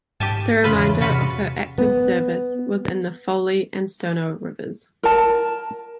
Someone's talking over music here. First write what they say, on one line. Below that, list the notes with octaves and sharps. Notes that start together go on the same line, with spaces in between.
The remainder of her active service was in the Folly and Stono Rivers.
G#2 G4 G#5 A5
E2 C#3 F4 B4
C3 F4 F#4 B4
B3
A#4 A5